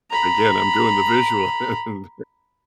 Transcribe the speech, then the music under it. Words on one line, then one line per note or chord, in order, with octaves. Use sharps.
again, I'm doing the visual, and
A#5 B5